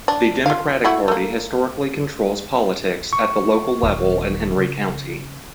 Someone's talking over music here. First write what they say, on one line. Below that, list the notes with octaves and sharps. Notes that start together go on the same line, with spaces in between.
The Democratic Party historically controls politics at the local level in Henry County.
D4
F4 F5
A3 E4 F#4
A3 A#3
C#6
D#1
C#3